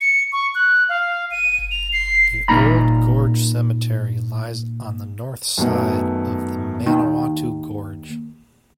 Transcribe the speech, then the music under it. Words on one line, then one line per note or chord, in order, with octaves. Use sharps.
The Old Gorge Cemetery lies on the north side of the Manawatu Gorge.
C#7
C#6
F#6
F5
D#7
F7
C7
A#2 A#3 D#4 A#5 B5
F#2 B2 D#3 F#3 A3 B3
D#2 D#3